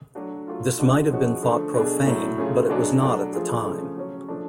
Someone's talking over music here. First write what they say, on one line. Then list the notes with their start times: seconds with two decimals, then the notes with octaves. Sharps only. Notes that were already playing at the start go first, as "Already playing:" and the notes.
This might have been thought profane, but it was not at the time.
0.15 F#3 A3 D4 F#4
0.47 F#3 A3 F4
0.78 D3 G#3 D4 F#4
1.11 F3 G#3 C#4 F#4
1.43 D3 F3 A3
1.74 B2 A3 D4 G#4
2.06 A2 F#3 A3
2.38 C#3 F#3 A3 F4 G#4
2.70 B2 F#3 B3 D4 G#4
3.01 F#3 A3 D4 F#4
3.33 F3 A3 F4 G#4
3.65 C#3 F3 A3
3.97 C#3 F#3 C#4
4.28 F3 A3 D4